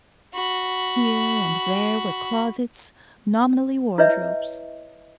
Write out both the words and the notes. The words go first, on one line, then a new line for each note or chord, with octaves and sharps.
Here and there were closets, nominally wardrobes.
F#4 B5
E4 B4 C#5 D#5 E5